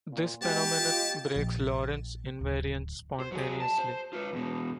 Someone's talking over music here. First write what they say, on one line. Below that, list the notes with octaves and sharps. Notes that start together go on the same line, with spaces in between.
This phenomenon breaks Lorentz invariance spontaneously.
A#2 F4
B2 G#3 G4 A5
F4 D#5
A#1
D1
C5
F#3 G#4
A5
C5
F4 B4
E2 B2